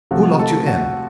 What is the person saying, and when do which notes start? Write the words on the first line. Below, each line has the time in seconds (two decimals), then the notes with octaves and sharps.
"Who locked you in?"
0.11 C3 F3 A3 F#4
0.39 A4
0.67 F#4